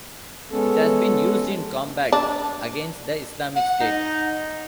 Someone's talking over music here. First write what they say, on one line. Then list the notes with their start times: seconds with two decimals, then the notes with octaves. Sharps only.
It has been used in combat against the Islamic State.
0.51 G#3 B3 C#4 A4
2.13 D4
3.56 F#5
3.80 D#4